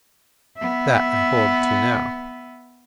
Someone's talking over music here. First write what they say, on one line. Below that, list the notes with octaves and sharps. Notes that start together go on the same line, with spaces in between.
That I hold to now.
B3 E5